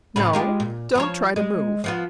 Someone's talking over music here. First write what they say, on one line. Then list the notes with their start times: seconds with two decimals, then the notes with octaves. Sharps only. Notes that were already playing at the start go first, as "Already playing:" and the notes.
No, don't try to move.
0.16 A2 C#3 B4
0.33 G#3 F4 G4
0.60 A#2
0.95 F3 A#4 C#5
1.36 G#3
1.84 F3 B3 F4